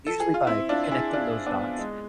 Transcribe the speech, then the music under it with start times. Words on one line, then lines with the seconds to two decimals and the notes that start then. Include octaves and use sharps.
usually by connecting those dots,
0.07 A4
0.20 G#4
0.34 F4
0.47 C4 E4
0.69 D4 F4
0.91 E4 G#4
1.13 D4 F4
1.46 B3 D4
1.79 G#3